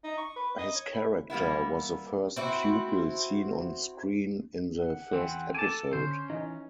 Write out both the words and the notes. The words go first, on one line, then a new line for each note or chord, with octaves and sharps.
His character was the first pupil seen on screen in the first episode.
D#4
C#6
B4
D#5
C#5
E4
G3 A#3 B3 E4
C4 E4 F#4
F#5
E2 E3 C4
A4 G#5 A5 D6 A6
D3 C#4 C5
E3 D#4